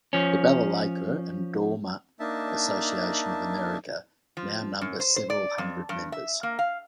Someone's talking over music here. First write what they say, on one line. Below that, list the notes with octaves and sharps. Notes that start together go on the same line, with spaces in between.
The Balalaika and Domra Association of America now numbers several hundred members.
F3 C#4
A#3 D4 D#4 E5 A5
F3
F#2
C5
C5
D5
F2
G2
E5
A#3
F5